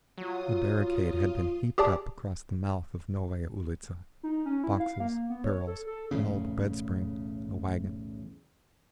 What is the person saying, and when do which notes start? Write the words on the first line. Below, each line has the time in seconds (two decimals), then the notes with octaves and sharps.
A barricade had been heaped up across the mouth of Novaya Ulitza--boxes, barrels, an old bed-spring, a wagon.
0.18 F#3 F4 D#6
1.78 G4 G#4 D5 A5 D6
4.23 D#4
4.46 C#4
4.64 E4
4.80 F5
5.00 A#3
5.30 B3
5.44 C#5
5.67 A4
5.87 A4
6.11 B1 E2 A2 C#3